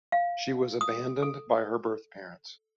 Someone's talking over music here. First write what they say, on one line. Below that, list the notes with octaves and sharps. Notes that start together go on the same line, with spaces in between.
She was abandoned by her birth parents.
F5
D#6
A4